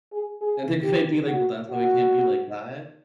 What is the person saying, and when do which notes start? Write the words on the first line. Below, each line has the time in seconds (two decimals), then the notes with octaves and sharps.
And they're gonna be like, "Well, that's why we can't be like that."
0.13 G#4
0.41 G#4
0.84 G4
1.27 F#4
1.71 F#4